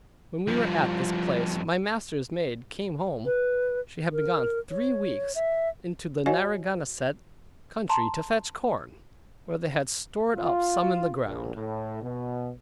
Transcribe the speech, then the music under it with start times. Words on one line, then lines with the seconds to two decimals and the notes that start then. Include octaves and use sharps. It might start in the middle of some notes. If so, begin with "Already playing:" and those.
When we were at this place, my master's maid came home; she had been gone three weeks into the Narragansett country to fetch corn, where they had stored up some in the ground.
0.47 G2 F3
3.25 B4
4.12 A#4
4.71 C#5
5.35 E5
6.26 F#4 C#5 D#5 F5 G#5
7.89 A5 A#5 C6
10.35 F4
11.26 A#1
11.56 A2
12.02 B2